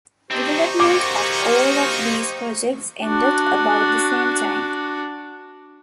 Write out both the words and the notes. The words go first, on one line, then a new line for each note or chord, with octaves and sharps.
Development of all of these projects ended about the same time.
C4 D4 D#4 G4 C5 C#6
A#3 F#4 D6
D4 F#4